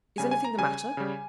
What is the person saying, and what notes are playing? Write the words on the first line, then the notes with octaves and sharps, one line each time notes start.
Is anything the matter?
C#3 G3 G#5
G#5
A#5
C#3 G3 G#5
C#3 G3